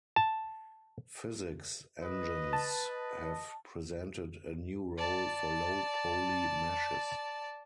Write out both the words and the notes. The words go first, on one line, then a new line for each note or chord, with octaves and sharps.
Physics engines have presented a new role for low poly meshes.
A5
B4 D#5
A5
D#5
D5 A5